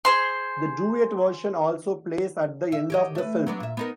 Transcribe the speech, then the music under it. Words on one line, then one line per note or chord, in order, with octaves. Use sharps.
The duet version also plays at the end of the film.
G#4 C5 C6
E5
G4 C#5 D#5
A3 B4
F#3 B3 D4
A#2 E5
B3 D#4 A#4